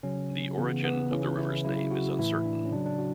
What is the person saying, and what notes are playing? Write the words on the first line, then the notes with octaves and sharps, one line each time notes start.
The origin of the river's name is uncertain.
C#3 F#3 C#4
C#3 E3 B3
B3
C#3 E3 C#4
E4
C#3 F#3 E4
F#4
A2 E3 E4
D4
C#4
C#3 F#3 D4
D4
F#4